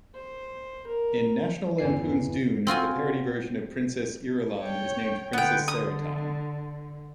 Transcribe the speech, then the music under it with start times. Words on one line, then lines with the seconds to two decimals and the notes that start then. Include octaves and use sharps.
In "National Lampoon's Doon", the parody version of Princess Irulan is named Princess Serutan.
0.15 C5
0.87 A#4
1.78 G1 E2 E3 C7
2.67 C4 F4 F#4 G#5
4.59 C#5 G5
5.33 D3 B3 G5
5.68 D#6